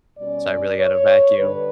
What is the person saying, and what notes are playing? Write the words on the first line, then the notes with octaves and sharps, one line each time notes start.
so I really gotta vacuum.
B2 G3 C#4 D5
C#5
D3 G3 D4 B4